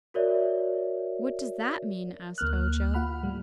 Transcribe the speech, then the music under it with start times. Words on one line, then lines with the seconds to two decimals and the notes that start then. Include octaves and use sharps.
"What does that mean?" asked Ojo.
0.14 F#4 A#4 C#5 D5 E5
2.38 D2 A#3 F6 F#6
2.94 F4 F#5 B5 F6
3.23 A2 G3